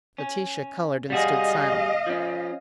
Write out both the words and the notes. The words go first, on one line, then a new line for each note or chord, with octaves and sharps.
Laetitia coloured and stood silent.
C#4
G3 F#4 G#4 D#5 F5
F3 C#4